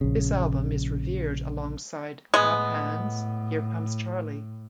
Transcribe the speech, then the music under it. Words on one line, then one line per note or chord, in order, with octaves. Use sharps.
This album is revered alongside Clap Hands, Here Comes Charlie!
A#1 C#3
A2 G#3 B3